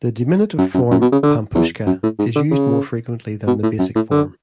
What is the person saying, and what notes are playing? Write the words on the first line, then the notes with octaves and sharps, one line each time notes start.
The diminutive form "pampushka" is used more frequently than the basic form.
F#2
F#2
F#2
B2
C#3
D3
E2
F#2
A2
G#2
D3
C#3
B2
A2
F#2
A2
D3